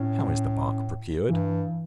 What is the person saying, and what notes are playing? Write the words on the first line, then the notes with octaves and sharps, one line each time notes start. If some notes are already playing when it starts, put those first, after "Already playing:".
How is the bark procured?
Already playing: A2 C#4
G2 E3